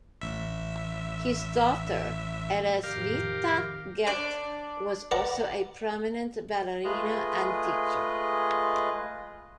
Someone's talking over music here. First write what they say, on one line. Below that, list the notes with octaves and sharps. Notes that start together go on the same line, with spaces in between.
His daughter Elisaveta Gerdt was also a prominent ballerina and teacher.
A1 E5
F2 A2 D#3 G4 A#4 F5
D4 D5
B4 D5 F#5 A#5
G#3 A3 F4 G#4 B4 D#5